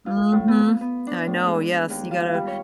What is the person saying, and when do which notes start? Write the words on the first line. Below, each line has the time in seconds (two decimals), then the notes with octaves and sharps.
Mhm, I know, yes, you gotta
0.06 F4
0.32 A2
0.48 B3
0.65 B3
0.81 B3
1.07 D4
1.27 A2
1.47 G#3
1.90 D#2
2.11 F4
2.34 G3
2.47 C#5